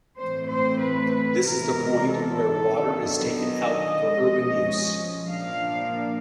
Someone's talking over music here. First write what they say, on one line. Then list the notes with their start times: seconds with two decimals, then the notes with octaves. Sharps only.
This is the point where water is taken out for urban use.
0.17 A2 E3 A3 C4 C5
0.49 C5
0.81 B4
1.46 C3 E3 G#3 B3 A#4
2.10 A4
2.75 D#3 F#3 B3 D4
3.38 D#5
4.03 F3 G#3 C#4
5.31 A#2 F3 A#3 D4 F5